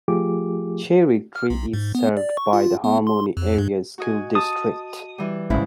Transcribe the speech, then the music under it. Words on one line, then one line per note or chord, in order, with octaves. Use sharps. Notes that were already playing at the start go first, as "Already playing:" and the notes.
Cherry Tree is served by the Harmony Area School District.
F3 A3 F4 G4 G#4 D6
F6
B1
G#2
B3
D5
C#6
F4
B3
C6
F2
G2
F#4 D#5 G#5
A5 D#6
E3 G3
A1 G#2 C#3 E4